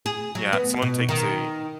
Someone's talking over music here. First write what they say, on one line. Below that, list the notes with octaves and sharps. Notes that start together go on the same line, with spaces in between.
Yeah, someone takes a
G#4
F#3
B3
B2
D#3